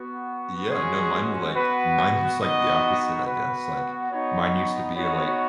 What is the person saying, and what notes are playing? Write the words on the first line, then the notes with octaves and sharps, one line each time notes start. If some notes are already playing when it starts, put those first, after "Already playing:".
Yeah, no, mine were like mine was like the opposite, I guess. Like, mine used to be, like,
Already playing: B3 F#4
G#3 C#4 F#4 G#4
B3 F#4 B4
B3 D#4 F#4 D#5
B3 F#4 B4
B3 D#4 F#4 C#5
B3 D#4 F#4 C#5